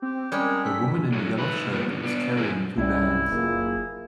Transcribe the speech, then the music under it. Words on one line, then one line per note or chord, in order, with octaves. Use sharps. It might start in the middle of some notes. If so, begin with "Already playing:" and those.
A woman in a yellow shirt is carrying two bags.
C4 G4
G3 G#3 C#4 A#4
A4 B6
D3 F#3 C#4
D#4 B4
B2 F3 G3 A#3 B3
F#2 D3
B3 D4
G#2 E3 A#3 C4 E4 G#4
C2 G3 C#4 E4
F#1 A#3 F4 G#4